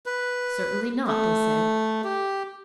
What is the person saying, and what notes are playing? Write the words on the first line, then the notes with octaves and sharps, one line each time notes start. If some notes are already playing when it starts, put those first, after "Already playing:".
"Certainly not," they said.
B4
A3
G4